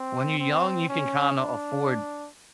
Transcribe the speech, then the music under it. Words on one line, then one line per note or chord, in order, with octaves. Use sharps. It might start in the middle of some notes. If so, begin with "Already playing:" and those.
When you're young, you can kinda afford
Already playing: C4
C4
C#4
D4